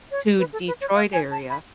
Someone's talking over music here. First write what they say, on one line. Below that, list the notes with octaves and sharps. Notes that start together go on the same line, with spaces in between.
to Detroit area,
C#5
B4
A4
B4
C#5
F5
G#5
A5
B5